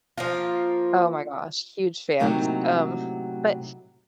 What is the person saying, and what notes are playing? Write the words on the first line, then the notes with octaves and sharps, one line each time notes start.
Oh my gosh, huge fans, um, but
F3 A#3 F4
A2 C3 F#3 A#3 C#4 D#4